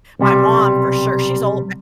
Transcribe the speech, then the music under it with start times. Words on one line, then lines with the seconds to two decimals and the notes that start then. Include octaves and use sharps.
My mom, for sure, she's ol eh
0.19 B1 C3 G3